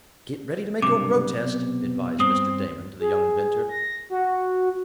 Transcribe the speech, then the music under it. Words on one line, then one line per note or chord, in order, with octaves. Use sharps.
"Get ready to make your protest," advised Mr. Damon to the young inventor.
B1 G2 C3 D6
B3
G2 C4 D#6
G#4
A#6
F#4